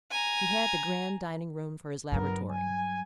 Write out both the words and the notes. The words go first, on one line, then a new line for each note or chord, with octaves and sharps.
He had the grand dining-room for his laboratory.
G#5 A#5
G1 G2 F#3 B3 A#4
G#5